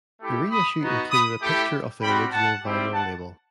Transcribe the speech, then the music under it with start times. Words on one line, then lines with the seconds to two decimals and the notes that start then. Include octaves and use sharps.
The reissue included a picture of the original vinyl label.
0.20 A3 E4 G4
0.50 B5 D#6
0.80 B3 D#4 F#4
1.11 B5 D#6
1.41 A3 E4 G4
2.02 G3 C4 F#4 G5 B5
2.32 F#5 A5
2.63 G3 C4 E4 G4
2.93 F#5 A5